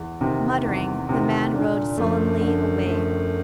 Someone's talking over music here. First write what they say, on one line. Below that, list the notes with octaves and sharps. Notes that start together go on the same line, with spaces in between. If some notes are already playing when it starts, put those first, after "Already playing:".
Muttering, the man rode sullenly away.
Already playing: E2
C3 D#3
E2
C3 D#3
A#2 D3
F#2 F3 A3
D3
F3 A3